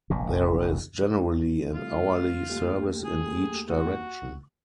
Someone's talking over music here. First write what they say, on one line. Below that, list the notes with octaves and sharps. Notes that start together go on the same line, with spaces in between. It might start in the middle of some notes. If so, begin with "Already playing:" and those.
There is generally an hourly service in each direction.
F1 A#1 A#2
C2 A3 F4
D#2 G3 A3 G4
G#4
F#4